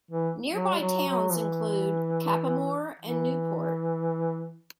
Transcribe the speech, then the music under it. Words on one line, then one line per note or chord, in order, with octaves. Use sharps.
Nearby towns include Cappamore and Newport.
E3
F#3
G3
F#3
F#3
F3
E3
E3